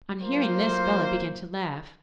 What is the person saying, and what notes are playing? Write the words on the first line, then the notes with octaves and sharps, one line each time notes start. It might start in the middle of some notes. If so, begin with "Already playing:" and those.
On hearing this Bellah began to laugh.
F#3 A#3 F4 C5